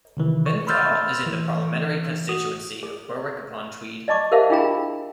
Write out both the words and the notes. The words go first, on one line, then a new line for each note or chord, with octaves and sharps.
Benthall is in the parliamentary constituency of Berwick-upon-Tweed.
C3 D#3 E3
C#6
B5 C6 E6 F6 G6 A6
E3
F#4 D#6
G#4
D5 D#5 A5 C#6 D6
G4 A#4 C5 E5 F5 A5
D4 E4 F4 G#4 G5 A#5